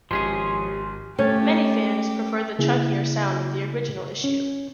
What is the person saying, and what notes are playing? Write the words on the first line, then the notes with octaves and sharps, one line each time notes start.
Many fans prefer the chunkier sound of the original issue.
G#1 F3 C#4 G4 G#4 G#5 C6
A3 C#4 G4 G#6 A6
C#3 A#3 E4 G#4
C#4